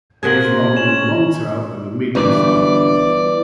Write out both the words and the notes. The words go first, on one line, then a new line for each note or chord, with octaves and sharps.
It is long, with a long tail and a medium-sized bill.
A#3 F#4 G#4 C5 G#6 A#6 F#7
C#4 E7 F#7
G1 E3 D5